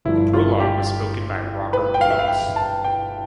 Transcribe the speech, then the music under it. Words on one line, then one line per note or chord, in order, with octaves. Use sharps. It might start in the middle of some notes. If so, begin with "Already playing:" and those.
The prologue was spoken by Robert Wilks.
G1 G2 F3 E4
F4
G4
B4
G5
F5
E5
F5
G5
A5
G5